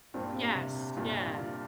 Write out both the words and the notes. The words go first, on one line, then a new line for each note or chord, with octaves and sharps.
Yes, yeah.
G2 A#2 C4
C3
G2 A#2 F4
F4